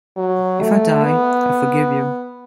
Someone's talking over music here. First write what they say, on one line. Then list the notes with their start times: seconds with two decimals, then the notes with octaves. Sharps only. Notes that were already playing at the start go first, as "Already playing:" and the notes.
If I die, I forgive you.
0.17 F#3
0.61 A3
1.04 B3